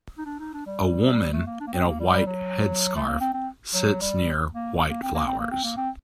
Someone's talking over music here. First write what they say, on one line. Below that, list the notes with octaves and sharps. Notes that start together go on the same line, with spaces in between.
A woman in a white headscarf sits near white flowers.
D#4
D4
D#4
D4
G3
A3
A#3
D4
A#3
C4
A#3
G3
G3
F#3
A3
A#3
C4
C4
F#3
G3
A#3
A#3
C4
A#3
C4
A#3
C4
A#3
C4